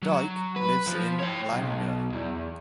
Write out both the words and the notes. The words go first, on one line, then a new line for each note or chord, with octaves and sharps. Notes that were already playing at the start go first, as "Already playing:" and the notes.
Dike lives in Langa.
F#3
B4
F3
C#5 G5
B1
E2